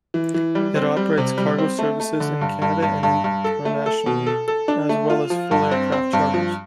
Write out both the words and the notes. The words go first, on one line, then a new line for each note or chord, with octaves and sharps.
It operates cargo services in Canada and internationally, as well as full aircraft charters.
E3
E3
G3
C4
G3
C3
G3
C4
A3
A3
D3
G2
G2
G2
G2
G2
A4
A3
A4
B2
A4
A4
D4
A3
F4
F3
G2
C4
C4
G2
F3